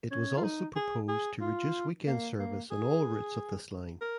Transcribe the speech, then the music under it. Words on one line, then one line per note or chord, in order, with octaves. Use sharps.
It was also proposed to reduce weekend service on all routes of this line.
C#4
F4
D#4
G#4
G#4
F4
A#3
A#3
G#4
A#4